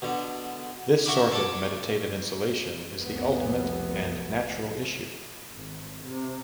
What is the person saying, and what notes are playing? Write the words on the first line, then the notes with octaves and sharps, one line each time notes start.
This sort of meditative insulation is the ultimate and natural issue.
B2 D3
D4 E4 F#4 C#6
A4 C#5 D5
F1 C2 B3
G#1
C3